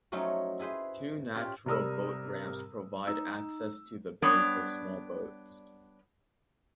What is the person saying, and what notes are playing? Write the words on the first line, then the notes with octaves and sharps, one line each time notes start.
Two natural boat ramps provide access to the bay for small boats.
F3 F#3 A3 C#4 D#4
E4 G#4 B4 C5
C#4 F4 G4
C3 G3 A#4 D#6 E6
D#4 E6
G3 B3 D4 C#5